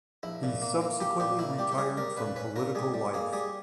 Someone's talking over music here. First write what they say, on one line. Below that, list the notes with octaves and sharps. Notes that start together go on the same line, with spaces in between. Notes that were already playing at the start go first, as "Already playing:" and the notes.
He subsequently retired from political life.
A#1 E4
A#2
A#3
A#3
A#3 G4
A#2 G4
A#3 E4
G3 G4
G4
G3 G#4
G3 A#4
A#2 B4
C#4 B4
A#2 A#4
G3 G#4
G3
A#3 G#4
G3 G#4